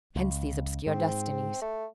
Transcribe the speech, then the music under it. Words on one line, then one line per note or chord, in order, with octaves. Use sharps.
Hence these obscure destinies.
C#2
G#2 C4
A3